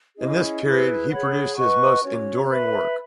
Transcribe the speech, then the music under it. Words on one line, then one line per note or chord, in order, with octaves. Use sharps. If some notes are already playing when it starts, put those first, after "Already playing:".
In this period, he produced his most enduring work.
C#4 E4 G#4 D#5
E4 G#4 B4
G#4 C#5 F#5 B5
B4 D#5 F#5 C#6
C#4 F#4 C#5
B4 E5 B5